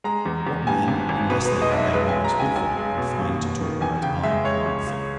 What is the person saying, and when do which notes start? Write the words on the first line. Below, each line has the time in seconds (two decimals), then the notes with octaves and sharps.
What men, unless they had their wives with them, can find to talk about, I can't think.
0.04 G#3 A#5
0.26 E2
0.47 E2
0.67 G2 G#5
0.88 G#1
1.09 G#1
1.30 B2 B4
1.45 B4
1.51 G#3
1.62 D#5
1.72 B1
1.78 E5
1.93 G#3 B4
2.09 G#5
2.14 G#3
2.24 A#5
2.35 G#3 G#5
2.56 B1 G#5
2.77 G#3
2.98 B2
3.19 D#2
3.39 D#2
3.61 D#3
3.81 E2 G#5
4.03 C#3 G5
4.23 G#3 E5
4.44 G#3 C#5
4.66 C#2
4.87 C#2